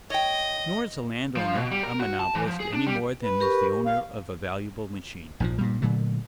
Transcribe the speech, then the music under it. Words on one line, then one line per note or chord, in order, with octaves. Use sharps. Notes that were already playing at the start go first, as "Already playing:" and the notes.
Nor is a land-owner a monopolist any more than is the owner of a valuable machine.
C#5 D#5 G5
F3
B2
G3
A#4
F#4
A5
E3
F3
G#4
D4
G3
B4
G4 A#4 C#6
F5
A#1 G#2 D#3 F3
G2 A#2 G3
A#2 D3 F#3 A3